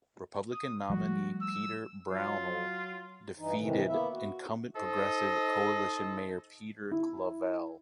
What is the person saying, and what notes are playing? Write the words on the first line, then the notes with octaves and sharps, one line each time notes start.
Republican nominee Peter Brownell defeated incumbent Progressive Coalition Mayor Peter Clavelle.
D#6
F3 G3 A3 F#4
E6
F#3 F4
G2 E3 D#4
A2 C3 D#3 E3
A#3 B3 E4 E5
F#4
D#4 A4 C5 D#5
E4